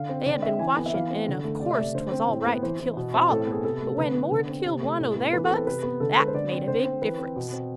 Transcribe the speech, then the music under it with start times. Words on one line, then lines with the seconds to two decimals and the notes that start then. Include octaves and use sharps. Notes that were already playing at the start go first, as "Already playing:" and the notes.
They had been watchin' an', of course, 'twas all right to kill Father, but when 'Mord' killed one o' their bucks, that made a big difference.
Already playing: D3 F5
0.09 C4
0.26 D3 D5
0.42 C4 E5
0.59 E3 G#5
0.76 B3
0.86 E5
0.93 E3 F5
1.10 C4
1.28 D3
1.44 A3
1.61 C3 D5
1.71 E5
1.78 A3 D5
1.95 D3 C5
2.12 C4
2.29 A2
2.46 B3
2.62 E3 C5
2.80 E3
2.97 B2
3.14 C4
3.30 A2 A4
3.47 B3
3.52 G#4
3.64 C3 A4
3.81 A3
3.98 D3 B4
4.15 B3
4.32 D3
4.48 C4
4.66 C3
4.82 A3
4.99 A2
5.16 B3
5.33 E3 B4
5.44 A4
5.50 C4
5.55 B4
5.67 C3 B4
5.83 B3
6.00 D3 A4
6.17 G#3 B4
6.27 C5
6.34 D3 D5
6.51 C4
6.68 D3 C5
6.85 C4
7.01 E3 B4
7.19 C4
7.36 B2
7.52 C4